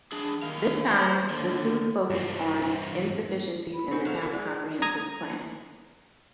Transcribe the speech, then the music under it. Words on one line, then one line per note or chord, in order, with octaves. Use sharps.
This time, the suit focused on insufficiencies in the town's comprehensive plan.
D4 G#4
D#3 F5
C5
D#2 D3
G2 C4
B5
C4 F#4 G#4
F#3 A4 F5
B3 A#4
G#3 D5
A#5 D#6 G#6